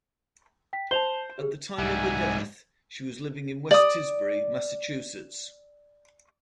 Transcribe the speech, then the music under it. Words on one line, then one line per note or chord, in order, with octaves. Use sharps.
At the time of her death she was living in West Tisbury, Massachusetts.
G5 B6
C5 A5 F7 G7
G4 G#4
C2 G#2 G3 E5 F#5 G#5
D5 D#6